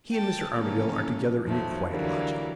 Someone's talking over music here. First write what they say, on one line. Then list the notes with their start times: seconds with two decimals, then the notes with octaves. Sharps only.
He and Mr. Armadale are together in a quiet lodging.
0.11 G5 A5
0.56 C#3 E3 F3 A#3 C#4 A4
1.43 F2 D#3 F3 F#3 A3
1.88 D3 E3 F#3 G3 A#3